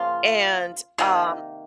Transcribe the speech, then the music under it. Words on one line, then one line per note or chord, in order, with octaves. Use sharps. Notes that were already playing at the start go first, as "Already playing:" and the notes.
and, um
Already playing: C#3 F3 A#3 F4
C3 D#3 A#3